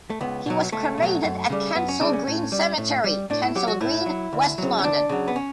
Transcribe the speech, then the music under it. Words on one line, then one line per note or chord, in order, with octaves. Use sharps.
He was cremated at Kensal Green Cemetery, Kensal Green, west London.
A3
C#2 B3
B2 F#3
C#2 A3
B2 F#3
F#2
C#3 G3
F#2 B3
C#4
C#3 G3 D4
C#4
A2
G3
A2
G3
A2 D4
E4
F#3 G4
F#4
A2 E4
F#3
D2
C#3 F#3
C#4
D2 D4
C#3 F#3
B3
C#4